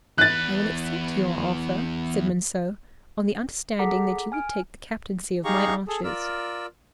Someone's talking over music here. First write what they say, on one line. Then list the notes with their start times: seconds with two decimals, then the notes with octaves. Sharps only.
"I will accept your offer," said Monceux, "on the understanding that you will take the captaincy of my archers."
0.18 E2 B4 F#6 A6
3.79 G#4 A4 F#5 A#5 D6 B6
4.32 G#5 F6 D7
5.45 D#4 G4 G#4 F5 A#5 C#6
5.88 G#4 A4
6.04 F4 A#4 D5 E6